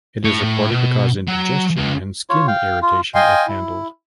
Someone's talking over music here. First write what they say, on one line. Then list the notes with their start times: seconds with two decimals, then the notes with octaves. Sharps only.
It is reported to cause indigestion and skin irritation if handled.
0.24 A2 C#5
0.42 A2
0.70 B2
1.27 F#3
1.76 C#2
2.30 F4 C#5
2.47 F5 G5
2.82 F4
3.15 D#5 F5 G5 G#5 C6
3.48 E4